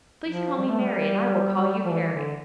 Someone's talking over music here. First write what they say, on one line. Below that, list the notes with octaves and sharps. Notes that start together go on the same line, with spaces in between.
Please call me Mary, and I will call you Harry.
F3
G3
A3
G3
F3
E3
D3